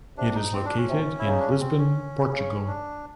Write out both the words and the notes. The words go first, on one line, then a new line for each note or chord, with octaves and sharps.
It is located in Lisbon, Portugal.
C3 D4
D#4
C4
D4
C#4
C3
E4
C#3 D#4
D4
C#4
C4
C#4
C#3
D4